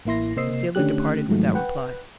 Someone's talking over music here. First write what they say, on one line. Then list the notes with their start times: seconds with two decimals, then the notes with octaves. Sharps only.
The sailor departed without reply.
0.05 A1 A#3 E4 C6 A#6
0.36 C3 A#3 C5 D#5 E6 C7
0.75 D3 A3 C#4 D4 G4 F#6
1.28 G#2 D#3 F3 F#3 G#3 A3
1.55 B4 F#5 G5